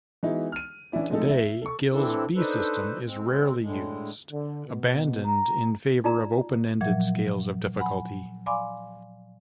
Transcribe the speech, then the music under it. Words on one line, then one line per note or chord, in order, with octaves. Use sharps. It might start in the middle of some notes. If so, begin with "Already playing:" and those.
Today, Gill's B-system is rarely used, abandoned in favor of open-ended scales of difficulty.
E3 G#3 B3 D#4 E4 F#4
F6 D#7
E3 C#4 D4 E4 D5
F3 G#3 A3 C4 D#4 A4
E5
A4 C#6
E3 C4 D4 E4 A4
D4 D#4 A4 B4 C5
G#3 C4
A2 D3 G#3
D3
B2
A#5
D#4 F4 D5 A5 A#5
A#2 F3 F#3 E5 G#6
F#5 G#5 B5
D5 F5 G#5 B5 C6 D6